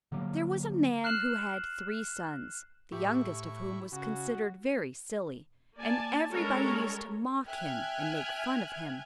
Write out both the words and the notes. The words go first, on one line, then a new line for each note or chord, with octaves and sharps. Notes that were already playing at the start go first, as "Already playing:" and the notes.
There was a man who had three sons, the youngest of whom was considered very silly, and everybody used to mock him and make fun of him.
D3 F#3 G3 A#3
F6 F#6 C7 E7 F#7
A2 E4 G4 C#6
C#3 F#4
A#3 D5 G#5 A5
G3 G#3 C#4 A4 A#4 C#5
E5 G5 G#5 F6 F#6 G#6